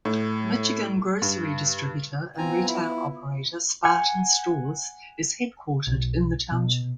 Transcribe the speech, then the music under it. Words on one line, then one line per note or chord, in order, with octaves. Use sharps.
Michigan grocery distributor and retail operator Spartan Stores is headquartered in the township.
A2
G2
B3 C4 F4 G#5 A#5
E4
F#5 G#5
B1
B2